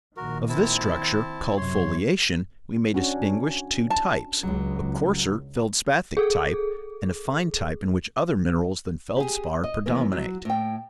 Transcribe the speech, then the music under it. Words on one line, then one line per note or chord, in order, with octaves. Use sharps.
Of this structure, called FOLIATION, we may distinguish two types,--a coarser feldspathic type, and a fine type in which other minerals than feldspar predominate.
A#1 D#3 F#4 A#4
C4 E4 A5
F#2 C3 C#5 C6
C#4 D4 F#4
A5
C#2 F#3 G#3
G#4 A4
G4 G#4
D#5
D#2 E3 B3 A#4
F#3
A2 G5